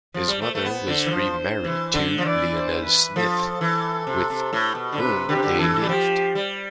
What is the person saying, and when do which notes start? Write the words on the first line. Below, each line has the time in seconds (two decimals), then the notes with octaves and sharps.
His mother was remarried to Lionel Smith, with whom they lived.
0.14 F3
0.28 G3
0.42 A3 C5
0.55 A3
0.65 B3
0.88 D3
1.06 E3
1.11 F3
1.64 E3
1.94 D3
2.18 F3
2.24 E3 D5
2.54 C5
2.85 B4
3.15 F3 A4
3.61 E3
4.07 C3
4.30 C3
4.53 A2
4.75 B2
4.93 D3
4.98 C3 B4
5.28 D3 G4
5.35 C3
5.43 D3
5.58 E3 A4
5.82 G3
5.89 F3 G4
6.35 G3